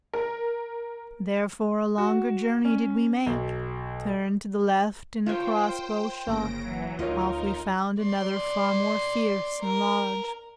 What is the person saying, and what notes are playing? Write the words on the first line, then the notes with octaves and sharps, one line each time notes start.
Therefore a longer journey did we make, Turned to the left, and a crossbow-shot oft We found another far more fierce and large.
A#4
F#4
C#4
B1
F4 A#4 C5 C#5 G5
G1 C#3 A#3 A#6 D7
E3 F#3
D2 D#4 F4 A#4 C#5 D#5
D5 C6
A#4